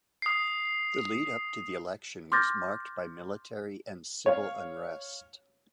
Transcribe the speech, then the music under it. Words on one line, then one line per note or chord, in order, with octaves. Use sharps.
The lead-up to the election was marked by military and civil unrest.
D#6 C7
C6 D6 F6 G6 A6 A#6
C#5 F5